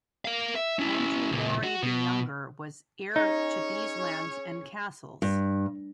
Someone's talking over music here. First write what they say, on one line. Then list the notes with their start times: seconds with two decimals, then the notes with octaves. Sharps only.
Andrew Moray the younger was heir to these lands and castles.
0.25 A#4 F5
0.56 E5
0.79 C#4 E4
1.30 C#2 A#2
1.64 F#4
1.83 B2
3.16 C#4 D#4 G#4 C#5
5.22 G2